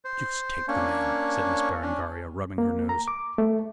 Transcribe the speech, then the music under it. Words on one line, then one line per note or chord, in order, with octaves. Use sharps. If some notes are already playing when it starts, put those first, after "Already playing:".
"Deuce take the man," said Miss Berengaria, rubbing her nose.
C5
A#3 C#4 D4 C#5
C#4 D4
A#3
A#5
D6
A3